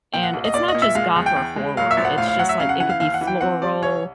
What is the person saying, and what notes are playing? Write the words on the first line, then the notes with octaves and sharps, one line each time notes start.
And it's not just goth or horror, it's just, like it could be floral,
A#2 G5
F#5
C2
D#5
A#2 D5
D#5
A#2
E5
G#3 F5
E2
G5
E2
G#3
F#3 F5
E5
A#1
F#5
A2 F5
F5
F#3 F#5
E5
C#3 F5
F#5
E3 F#5
F5
D#2 F5
F#5
E3
G5
C4 F#5
G3 D5
C2 C#5